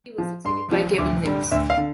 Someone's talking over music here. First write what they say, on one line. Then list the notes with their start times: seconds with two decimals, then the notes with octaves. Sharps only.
He was succeeded by Kevin Knibbs.
0.18 F3
0.45 G2 C6
0.72 F3
0.98 D2 D6
1.25 D3 G3
1.51 D2 E5
1.70 F5
1.77 D3